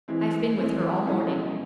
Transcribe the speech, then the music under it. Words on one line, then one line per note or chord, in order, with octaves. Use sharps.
I've been with her all morning.'
E3 G#3 C4 E4
E3 G#3 C4 E4
B2 G#3 C#4 E4 A4